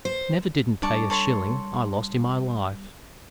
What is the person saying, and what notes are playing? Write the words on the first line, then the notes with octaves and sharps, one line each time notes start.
Never didn't pay a shilling I lost in my life!
C5
G3 D4 D5 A5 C#6
A4 C#5 C6